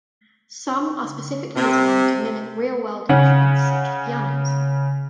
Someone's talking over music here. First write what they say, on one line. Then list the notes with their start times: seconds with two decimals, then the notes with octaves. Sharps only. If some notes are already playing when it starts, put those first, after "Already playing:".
Some are specifically designed to mimic real world instruments such as pianos.
1.56 C3
3.09 C#3 C#4 F#5